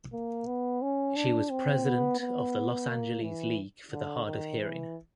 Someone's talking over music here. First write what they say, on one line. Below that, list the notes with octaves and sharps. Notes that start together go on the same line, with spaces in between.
She was President of the Los Angeles League for the Hard of Hearing.
A#3
B3
C#4
D4
C4
B3
B3
A#3
E3
D3
D#3
E3